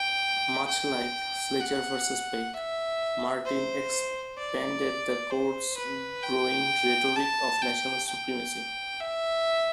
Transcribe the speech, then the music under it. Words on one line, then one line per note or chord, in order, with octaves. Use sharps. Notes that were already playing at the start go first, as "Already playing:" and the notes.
Much like "Fletcher versus Peck", Martin expanded the Court's growing rhetoric of national supremacy.
Already playing: G5
G5
F#5
E5
C5
D5
C5
B4
G5
A5
G5
G5
E5